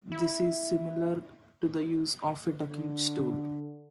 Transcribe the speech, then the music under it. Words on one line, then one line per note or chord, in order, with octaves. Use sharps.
This is similar to the use of a ducking stool.
E4
D3